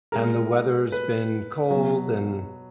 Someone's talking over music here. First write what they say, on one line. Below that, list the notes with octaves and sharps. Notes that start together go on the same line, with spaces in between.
and the weather's been cold and
B2 G#3 A#4
B4
B2 F#3